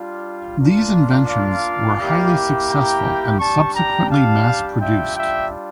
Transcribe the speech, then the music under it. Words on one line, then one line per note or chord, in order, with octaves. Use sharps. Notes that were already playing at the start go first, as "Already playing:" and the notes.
These inventions were highly successful and subsequently mass produced.
Already playing: G3 D4 F4
A#3 D4 F4
D5 F5
A#3 E4 G4
G5 A#5
G3 D4 G4 A5 C#6
G5 A#5
F5 A5
G3 D4 F4 E5 G5
E5 G5